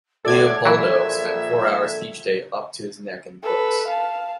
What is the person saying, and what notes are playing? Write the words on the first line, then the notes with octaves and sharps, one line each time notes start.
Leopoldo spent four hours each day 'up to his neck in books'.
E2 A2 A4 D5 G#6
A#1 E3 F#3 E5
A4 B4
F5 A5